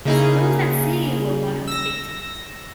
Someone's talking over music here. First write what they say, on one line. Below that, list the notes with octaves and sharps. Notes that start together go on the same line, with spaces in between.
Suppose that Celia were one of the victims?
C#3 A#3 D#4 E4 G#4
E6 A#6